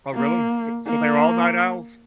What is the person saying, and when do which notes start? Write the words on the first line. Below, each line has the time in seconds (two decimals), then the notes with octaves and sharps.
Oh, really? S So they're all night owls?
0.14 A#3
0.86 A#3